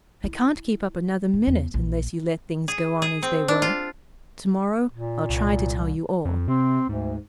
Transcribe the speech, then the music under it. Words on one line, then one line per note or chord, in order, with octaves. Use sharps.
I can't keep up another minute unless you let things go on as they were. Tomorrow I'll try to tell you all.
E4
D1
E2
A#1
G#4
G#4
C4
D4
F4
A#2
C2
F2
C3 C4
D2 G#2